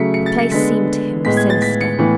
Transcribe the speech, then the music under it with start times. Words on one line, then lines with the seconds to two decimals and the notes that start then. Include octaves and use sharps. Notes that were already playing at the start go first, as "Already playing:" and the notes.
The place seemed to him sinister.
Already playing: C#3 F#3 A3 B6 C#7
0.14 C#7
0.26 A6
0.39 C#7
0.51 D3 G#3 B3 B6
1.25 A2 G#3 B3 B6
1.37 G#6
1.50 A6
1.62 B6
1.81 C#7
1.98 A2 E3 B3